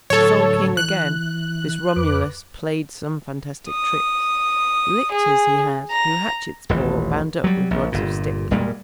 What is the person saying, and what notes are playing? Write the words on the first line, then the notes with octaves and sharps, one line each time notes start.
Sole King again, this Romulus Play'd some fantastic tricks, Lictors he had, who hatchets bore Bound up with rods of sticks.
A2 D3 F#3 A4 C#5
E3 F#6
F2 B4 D6
D#6
G#4
A#5
D#1 A1
F#3 G3
A#1
G1 A#2
E1 A#2 G3 G#3